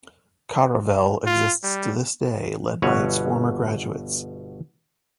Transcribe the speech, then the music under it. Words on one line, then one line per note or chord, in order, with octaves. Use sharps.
"Caravel" exists to this day, led by its former graduates.
F4
G3
G1 B2 F#4 B4 C#5